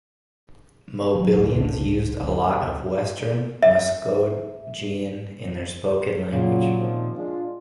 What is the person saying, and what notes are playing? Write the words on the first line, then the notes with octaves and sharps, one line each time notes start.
Mobilians used a lot of Western Muskogean in their spoken language.
F3 F#3
D2 G#2
F1 C#2 A2 D3
D2
E5
A#2 C#3 F#3
C3 D#3 F3
G#3 D4 F4